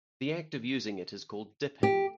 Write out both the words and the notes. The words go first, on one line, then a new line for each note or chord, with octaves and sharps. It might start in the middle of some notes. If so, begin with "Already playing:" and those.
The act of using it is called "dipping".
G4